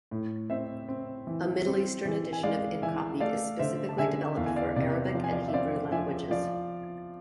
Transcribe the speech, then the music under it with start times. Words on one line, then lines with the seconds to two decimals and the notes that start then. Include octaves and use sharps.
A Middle Eastern edition of InCopy is specifically developed for Arabic and Hebrew languages.
0.11 A2
0.50 C4 C5 E5
0.89 C4
1.27 E3
1.66 C4
2.05 E3
2.33 G#5
2.43 G#3 D5 F5
2.82 E3 E5 G#5
3.20 A3 D5 F5
3.59 D3 C5 E5
3.89 A5
3.98 D3 E5 G#5
4.37 E2 F5
4.46 G#5
4.56 D5 F5
4.76 C3 D5 F5
5.14 F3 F5
5.24 G#5
5.32 D5 F5
5.48 E5
5.53 C4 D5 F5
5.92 F3 E5 G#5
6.30 F3 D5 F5